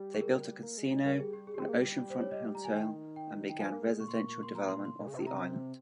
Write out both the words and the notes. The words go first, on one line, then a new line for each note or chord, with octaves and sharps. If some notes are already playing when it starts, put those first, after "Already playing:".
They built a casino, an oceanfront hotel and began residential development of the island.
Already playing: G3
G#4
A#4
A#3
G#3
G#3
G3 A#4
G#4
G4
G#4
G4
C4
G#4
A#3
G3
C5
C#5
D#5
A#5
G#5
D#3 G5
G5
G5
F3 G#5
A#3
G#3
A#2 C#6
C6
C#6
C#6
C6
A#5
C6
C6
A#2
C#3
C3
A#5